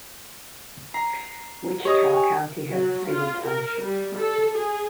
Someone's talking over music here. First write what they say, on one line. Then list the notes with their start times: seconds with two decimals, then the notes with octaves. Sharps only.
Wichita County has a single township.
0.94 A#5 C7
1.85 G4 C#5 D#5 D#6
2.13 G5 G#5 C#6
2.69 F#3
3.07 F4
3.42 A#4
3.82 G3
4.16 A4
4.55 G#4